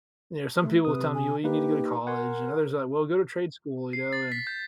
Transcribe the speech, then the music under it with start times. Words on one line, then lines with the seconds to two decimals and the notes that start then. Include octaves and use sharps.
You know, some people will tell me, "Well, you need to go to college," and others are like, "Well, go to trade school," you know, and
0.63 A3
0.85 C3 B4 D#6
1.14 G#5
1.44 A#3 D#4 G4 B4
2.07 A#4 F#5 G#5 C6
3.93 C7
4.13 A6
4.32 B6
4.47 G6